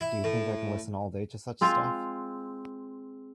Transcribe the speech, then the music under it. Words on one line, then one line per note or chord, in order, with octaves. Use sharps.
Do you think I can listen all day to such stuff?
E4
A2
G#3 C4 F4